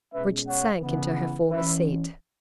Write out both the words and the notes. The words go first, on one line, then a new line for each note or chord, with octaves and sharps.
Bridget sank into her former seat.
B2 G#3 C#4 B4 E5
C#5 F#5
C#3 E3 B3
E3 C#4 B4 E5